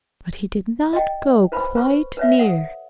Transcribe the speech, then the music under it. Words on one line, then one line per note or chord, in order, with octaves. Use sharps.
But he did not go quite near.
D#5 G5
B4 C5 B5
B4 C5 C#6
B4 C#5 E5
A4 F#5